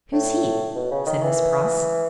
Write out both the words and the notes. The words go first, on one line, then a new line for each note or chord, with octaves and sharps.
"Who's he?" said Miss Pross.
A2
B2
C#3
D#3
E3